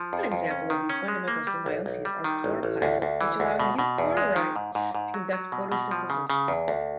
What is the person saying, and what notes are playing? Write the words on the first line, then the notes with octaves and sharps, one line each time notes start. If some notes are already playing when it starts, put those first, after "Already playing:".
One example of these fundamental symbioses are chloroplasts, which allow eukaryotes to conduct photosynthesis.
Already playing: F3
F2
F2
C#4
D#3
C#4
G#3
A#3
G3
B1
B1
G3
D#3
A1
A1
D2
D2
E3
D2
B2
B2
E2
G#3
D#3
G#2
G#2
G#2
F#3
F#3
B2
B2
F3
C#3
C#3
E2
D2